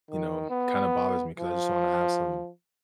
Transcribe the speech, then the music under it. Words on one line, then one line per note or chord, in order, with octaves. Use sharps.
you know, kinda bothers me 'cause I just wanna have some
D#3
B3
F3